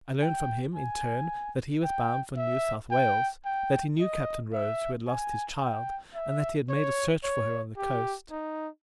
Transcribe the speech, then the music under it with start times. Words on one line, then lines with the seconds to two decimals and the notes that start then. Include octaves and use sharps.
I learned from him, in turn, that he was bound for New South Wales; that he knew Captain Rose, who had lost his child, and that he had made a search for her on the coast.
0.22 G5
0.76 G#5
1.84 G5
2.37 E5
2.91 G5
3.45 G5
4.00 D#5
4.54 E5
5.07 G#5
5.61 G5
6.15 E5
6.69 C#5
7.24 C#5
7.77 G4
8.31 D#4